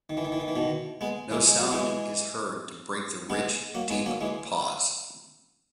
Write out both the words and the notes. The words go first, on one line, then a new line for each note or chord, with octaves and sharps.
No sound is heard to break the rich, deep pause.
D#3
E3
D#3
E3
D#3
E3
B2 D#3
G#3 B3
E3 G#3
G#3
F#3
E3 G#3
G#3 B3
F#3 A#3
G#3 B3
F#3 A#3
E3 G#3